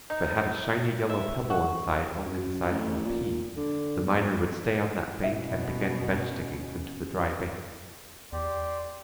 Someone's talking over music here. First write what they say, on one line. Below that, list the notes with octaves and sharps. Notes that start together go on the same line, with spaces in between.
If it had a shiny yellow pebble inside only the size of a pea, the miner would stay on that bank and begin bench diggings into the dry bank.
D#4
E5
F#4
F#2
A1
A#2
D3
B1
B2 C#4 E4
E2 G4 D5 C6